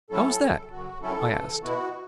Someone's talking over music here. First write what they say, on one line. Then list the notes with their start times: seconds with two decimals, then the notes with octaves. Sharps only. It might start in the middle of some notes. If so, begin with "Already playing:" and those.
"How is that?" I asked.
0.10 A2 F#3 C#4 E4 A4
0.41 F#2 C#3 F#3
0.71 F#2 C#3 F#3 F#4
1.02 F#2 F#3 C#4 E4 A4
1.32 E2 C#3 E3
1.63 B2 B3 E4 F#4